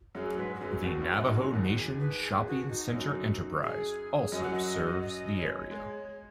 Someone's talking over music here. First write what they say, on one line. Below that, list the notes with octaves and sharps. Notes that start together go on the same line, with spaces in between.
The Navajo Nation Shopping Center Enterprise also serves the area.
F#2 F#3 G#4
G#2 G#3 B4
F#4
F#2 F#3 G#4
G#4
D#2 D#3 F#4
F#2 F#3
G#2 G#3 D#4
G#3
F#2 F#3
D#2 D#3 F#4
F#4
G#4
B4
G#4
F#4
D#4
F#2 F#3
G#4
F#2 F#3 D#5
F#5
D#5
D#5
D#5
C#5
G#3